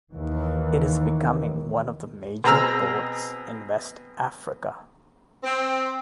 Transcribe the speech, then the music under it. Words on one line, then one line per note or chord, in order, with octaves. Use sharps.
It is becoming one of the major ports in West Africa.
D#2 E3
B2 C4 G#4 A#5 E6 F6
C4